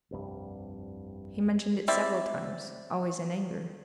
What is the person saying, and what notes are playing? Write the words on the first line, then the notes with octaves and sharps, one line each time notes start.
"He mentioned it several times, always in anger."
F1 C2 G2
C4 E4 D5 E5